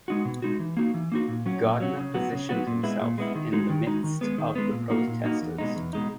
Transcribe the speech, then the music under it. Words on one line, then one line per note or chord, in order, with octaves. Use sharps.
Gardner positioned himself in the midst of the protestors.
G#3 D#4 F#4
B2
G#3 D#4 F#4
E3
A#3 D#4 F#4
E3
A#3 D#4 F#4
A#2
F#3 C#4 F#4
A#2
F#3 C#4 F#4
C#3
F#3 B3 F#4
C#3
F#3 B3 F#4
A#2
G#3 B3 E4
A#2
G#3 B3 E4
D#3
G#3 D#4 F#4
D#3
G#3 D#4 F#4
D#3
G#3 B3
D#3
G#3 B3
A#2
A#3 D#4 F#4
A#2
A#3 D#4 F#4
E2
B2 G#3 D#4
E2
B2 G#3 D#4